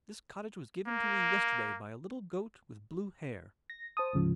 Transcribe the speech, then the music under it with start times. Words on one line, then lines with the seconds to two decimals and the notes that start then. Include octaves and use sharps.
"This cottage was given to me yesterday by a little Goat with blue hair."
0.87 A#3
3.70 A#6
3.97 C5 A5 D#6
4.13 D2 G#2 C#3 F3